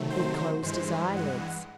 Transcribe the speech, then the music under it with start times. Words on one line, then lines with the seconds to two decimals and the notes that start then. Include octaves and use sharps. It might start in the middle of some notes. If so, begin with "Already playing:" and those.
He closed his eyelids.
Already playing: C3 D#3 F#3 A3
0.10 C5
0.63 G2 E3 G#3 C5
1.17 F#5